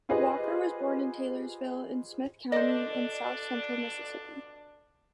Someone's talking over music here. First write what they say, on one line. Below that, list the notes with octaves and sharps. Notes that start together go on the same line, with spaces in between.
Walker was born in Taylorsville in Smith County in south central Mississippi.
F4 G4 G#4 B4 C5 D#5
F2 B2 D4 A4 C5 D5 D#5